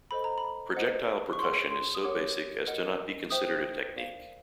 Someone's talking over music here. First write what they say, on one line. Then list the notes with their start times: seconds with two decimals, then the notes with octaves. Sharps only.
Projectile percussion is so basic as to not be considered a technique.
0.11 A4 C5 D#5 B5
0.24 A#5
0.38 B5
0.75 C5 D#5 F#5
1.33 C#6
1.39 G#4 C#5 F#5 C6
1.71 C6
1.95 D#6
2.03 G4 A#4 C#5 F#5 D6
2.67 A#4 D#5 F#5
3.30 C5 E5 G5 D#6
3.95 A#4 D5 F5